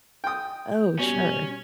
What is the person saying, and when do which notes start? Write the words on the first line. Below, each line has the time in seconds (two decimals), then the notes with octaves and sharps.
Oh, sure.
0.24 G5 D#6
0.99 B2 G3 C#4